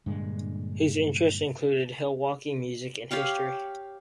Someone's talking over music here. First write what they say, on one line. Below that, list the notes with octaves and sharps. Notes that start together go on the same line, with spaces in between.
His interests include hill walking, music and history.
G2 A#2 D3 G#3
G4 C#5 F5 G5